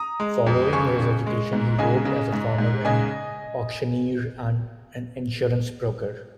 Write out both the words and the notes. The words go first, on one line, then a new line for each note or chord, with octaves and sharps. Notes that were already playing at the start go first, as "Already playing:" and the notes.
Following his education he worked as a farmer, an auctioneer and an insurance broker.
Already playing: A#5 D#6
G#3
F2
C#3 G#5 C#6
C#3
G#3
G#2
C#3 D#5 G#5
C#3
G#2
G#2
C#3 D#5 G#5